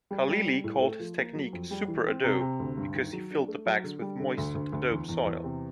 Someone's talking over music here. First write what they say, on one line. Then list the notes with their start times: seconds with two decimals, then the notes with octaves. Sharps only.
Khalili called his technique superadobe, because he filled the bags with moistened adobe soil.
0.11 G3
0.28 G3
0.46 G3
0.64 A2
0.82 A3
0.99 F3
1.17 A#3
1.35 F#3
1.53 F2
1.71 G3
1.88 E3
2.06 C4
2.24 C3
2.41 C3
2.59 D2
2.77 G2
2.95 D#3
3.13 F#3
3.31 D4
3.48 A3
3.66 F#3
3.84 D3
4.01 G3
4.20 D3
4.38 D2
4.55 D2
4.72 D2
4.90 E2
5.09 E2
5.25 E2
5.44 C3